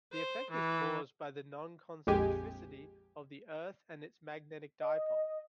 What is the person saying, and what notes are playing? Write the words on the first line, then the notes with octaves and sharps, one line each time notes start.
The effect is caused by the non-concentricity of the Earth and its magnetic dipole.
C5
E3
A#1 F2 G#3 G4 G#5
D#5